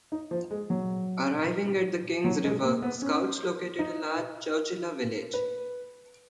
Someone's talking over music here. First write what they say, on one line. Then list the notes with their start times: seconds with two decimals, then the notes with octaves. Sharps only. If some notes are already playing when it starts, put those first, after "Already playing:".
Arriving at the King's River, scouts located a large Chowchilla village.
0.12 D#4
0.31 F3
0.51 G#3
0.70 F#3
2.24 F#3
2.44 G#3
2.62 A#3
2.82 B3
3.02 C#4
3.79 D#4
5.33 B4